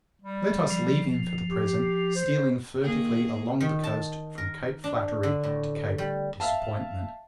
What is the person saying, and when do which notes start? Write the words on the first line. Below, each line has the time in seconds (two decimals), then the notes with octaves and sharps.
Let us leave him for the present stealing furtively along the coast from Cape Flattery to Cape Disappointment.
0.22 G3
0.71 F3
1.50 G4
2.16 C5
2.80 D#3 A#3 G#4
3.60 D#3
3.83 A5
4.38 A#4
4.84 D4
5.23 D3
5.43 A2
5.98 G3
6.40 E5 F5 A5